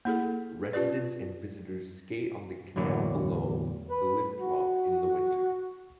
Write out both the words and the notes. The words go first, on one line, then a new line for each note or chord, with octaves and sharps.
Residents and visitors skate on the canal below the lift lock in the winter.
A#3 E4 G#4 A4
C#4 F4 G4 B4 D5
E2 A2 D3 F#3 A#3
B4
F#4